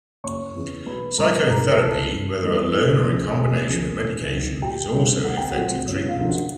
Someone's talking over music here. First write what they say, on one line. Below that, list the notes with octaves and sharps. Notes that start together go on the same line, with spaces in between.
Psychotherapy, whether alone or in combination with medication, is also an effective treatment.
F#1 C#5 C#6
E2 C#3
B1 B4 B5
A#2 G3 B3 A#4 A#5
G#2 A#4 A#5
E3 A3 A4 A5
G2
D#3 G3 B3 D#4
A2
F3 G#3 C#4
D2 G#4 G#5
C#3 F3 A#3
E2
C3 D#3 F#3
A#2 G4 G5
G3 C4 D#4
C2 F#5
G5
F#4 F#5
A#2 F#3 A3 C4
G1 C#4 C#5
F4 F5
F#2 D3 F3 A#3
F#4 F#5